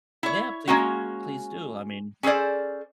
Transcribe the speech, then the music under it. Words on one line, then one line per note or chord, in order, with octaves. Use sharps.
Yeah, please please do. I mean
E4 C#5
G#3 A#3 C#4 F#4
C#4 G#4 A4 C5 D5